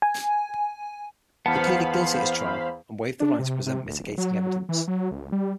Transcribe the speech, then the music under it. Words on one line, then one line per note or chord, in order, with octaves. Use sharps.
He pleaded guilty at his trial and waived the right to present mitigating evidence.
G#5
E2 B3 C5 F5 F#5 A5 B5
D4
C3
C3
D2
D1
F#3
F#3
E3
F#3
C#2
G3